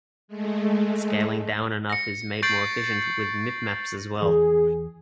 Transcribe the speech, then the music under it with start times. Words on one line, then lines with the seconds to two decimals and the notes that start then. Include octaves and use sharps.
Scaling down and up is made more efficient with mipmaps as well.
0.28 G#3 A3
1.90 A#6 C#7
2.42 C#6 G6 A6 C7 D7 F#7
4.22 E2 E3 G#4